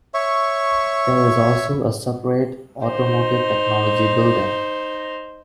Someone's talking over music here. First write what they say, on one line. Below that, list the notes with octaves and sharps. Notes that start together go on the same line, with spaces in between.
There is also a separate automotive technology building.
C#5 E5 C#6
D#4 C5